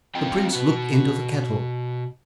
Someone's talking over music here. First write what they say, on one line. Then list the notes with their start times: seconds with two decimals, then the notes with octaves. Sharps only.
The prince looked into the kettle.
0.15 C4 F4 D#5 G5
0.53 B2 F#4